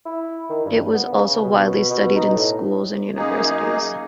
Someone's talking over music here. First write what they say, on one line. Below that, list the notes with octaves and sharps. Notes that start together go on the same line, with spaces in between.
It is also widely studied in schools and universities.
E4
D#3
G2
B3
C#3
B2
B2
D#4
A2
F#2 A#3 D#4 G#4